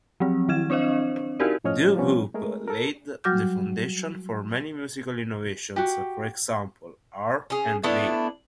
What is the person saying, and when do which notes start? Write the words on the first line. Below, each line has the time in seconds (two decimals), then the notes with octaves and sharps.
Doo-wop laid the foundation for many musical innovations, for example, R and B.
0.20 F3 F#3 C4
0.49 D#3 E4 G#6 E7
0.70 C4 D4 C5 D#5 F5
1.40 D#4 E4 F#4 G4 A#4 D5
1.64 A2 F3 C#4 C#5 D#5 F6
1.96 F3 G3 B3 C#4
2.34 G#3 A3 G#4 A#4
2.68 A4 A#4
3.24 F#3 G3 F#4 D6 F6 G6
5.76 F#4 G4
7.50 C#4 G#4
7.83 A3 B3 D4 E4